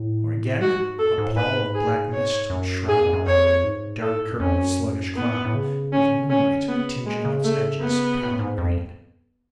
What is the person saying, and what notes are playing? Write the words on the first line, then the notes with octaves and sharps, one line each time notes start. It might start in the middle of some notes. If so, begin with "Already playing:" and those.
Or again, a pall of black mist would shroud it all, dark curtain of sluggish cloud with moonlight tinging its edges pallid green.
Already playing: A2
G#2 F#4
F#2 A4
G#2
G#2
A2
G#2 B4
G#4
C#5
F#2
G#2 G#4
F2
F#2
F2 C#5
G#2
A2 A4
G#2
A2
F#2
F2 C#4
F#2
G#2 B3
A2
F#2
A2
C#3
D3 C#4
C#4
C#3 B3
B2 G#3
C#3
A3
B3
B2
F#2
G#2
F2